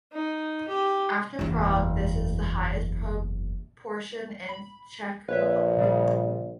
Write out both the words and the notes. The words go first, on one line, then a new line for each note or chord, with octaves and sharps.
After Prague, this is the highest proportion in the Czech Republic.
D#4
G4
F#1 E2
B5
A#1 B4 C#5 E5
A#2 C#3 G3